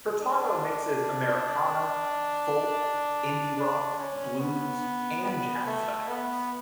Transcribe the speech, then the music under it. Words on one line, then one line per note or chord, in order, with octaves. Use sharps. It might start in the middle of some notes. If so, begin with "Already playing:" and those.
Furtado mixes Americana, folk, indie-rock, blues, and jazz styles.
D4
D4
C#4
B3
B3
A3
B3